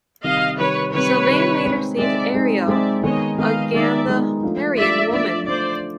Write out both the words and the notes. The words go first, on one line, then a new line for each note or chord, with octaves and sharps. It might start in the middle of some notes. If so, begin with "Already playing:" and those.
Sylvain later saves Airelle, a Gandaharian woman.
C3 D#3 G3 D#5 F5
C3 D#3 G3 B4 C#5
C3 D#3 G3 B4 C#5
C3 D#3 G3
G#3 C4 D#4
G#3 C4 D#4 D5 E5
G#3 C4 D#4
G#3 C4 D#4 D5 E5
D#3 G#3 B3 D#4 C#5 D#5
D#3 G#3 B3 D#4 D#5 F5
D#3 G#3 B3 D#4 D5 E5
D#3 G#3 B3 D#4
F3 A3 D4
F3 A3 D4 D5 E5
F3 A3 D4 D5 E5
F3 A3 D4 C5 D5